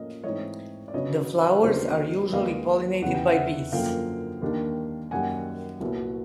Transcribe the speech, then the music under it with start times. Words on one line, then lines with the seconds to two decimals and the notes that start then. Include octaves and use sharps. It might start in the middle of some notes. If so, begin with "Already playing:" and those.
The flowers are usually pollinated by bees.
Already playing: A2 F3 A#3 C#4 D#5
0.23 G#2 E3 A3 C4 D#4 C#5 D#5
0.88 D5
0.93 C#3 F#3 B3 D4 C#5 D#5
1.63 D#2 C#3 F#3 B3 D4 A#4 C5
2.32 D#2 D#3 G#3 B3 D#5 F5
3.02 E2 C#3 E3 G3 B3 F#5
3.15 G5
3.27 E5 F#5
3.72 F#2 D3 F3 A#3 F5 G5
4.41 D#2 D#3 G3 A#3 D4
5.11 F#2 D#3 G3 A#3 F#5 G#5
5.80 C2 A#2 F#3 B3